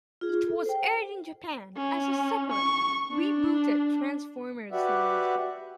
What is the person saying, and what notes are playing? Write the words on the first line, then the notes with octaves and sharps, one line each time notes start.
It was aired in Japan as a separate, rebooted Transformers series.
F4 G#4
A4
C5 G5
C#4
C#6
D4
F#4 G4 B4 D5 E5 F#5